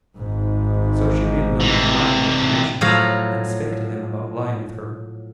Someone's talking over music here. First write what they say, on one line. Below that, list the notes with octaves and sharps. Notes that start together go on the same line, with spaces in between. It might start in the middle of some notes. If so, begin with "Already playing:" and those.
So she made known her naughty inclinations, and spake to him about lying with her.
G#1 G#2
C3 E3
A2 F3 F#3 A4 F5 A#5